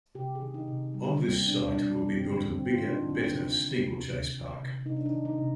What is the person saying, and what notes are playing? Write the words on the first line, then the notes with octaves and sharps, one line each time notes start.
On this site will be built a bigger, better, Steeplechase Park.
C3 G4
G#4
D#3
D#4
C3
G3
G3 C4
B2 D4
G3 D4
G3
C4
D3
D3 C4
F4
F3
D4
D#4
D3
C4
C3
D#3
C3
C3
D#3
C3
C3 D#4
D4
D#4
D#3
D#4
C3